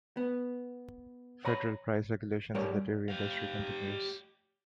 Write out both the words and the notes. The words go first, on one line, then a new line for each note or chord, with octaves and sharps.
Federal price regulation in the dairy industry continues.
B3
C#5 A#5 B5
G3 A#4 C#5 D5
G4 F5